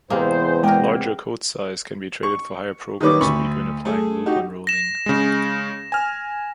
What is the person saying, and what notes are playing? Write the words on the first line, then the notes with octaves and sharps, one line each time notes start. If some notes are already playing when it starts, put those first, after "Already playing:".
Larger code size can be traded for higher program speed when applying loop unrolling.
E2 C3 G#3 A#3 G#4 B4 C5
C3 G#3 A#3 B3 A#4 G5
C#6
D#3 G3 A#3 B4 C#5 D6
D2 B5 C#6
A3 G#4
D#4 F#4 G4
A#6 E7
C#3 G#3
G#5 F6